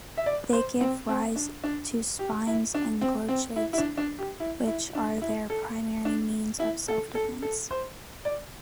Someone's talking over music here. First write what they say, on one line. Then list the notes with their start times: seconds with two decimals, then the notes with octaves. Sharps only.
They give rise to spines and glochids, which are their primary means of self-defense.
0.17 E5
0.26 D5
0.53 C5
0.81 C4
1.09 C4
1.36 D4
1.64 D4
2.19 G4
2.47 E4
2.74 D4
3.01 C4
3.29 C4
3.56 E4
3.73 E4
3.78 D4
3.97 D4
4.19 G4
4.40 E4
4.67 E4
4.95 D4
5.22 E4
5.50 A4
6.05 D4
6.60 E4
6.88 A4
7.15 A4
7.42 A4
7.71 C5
8.25 D5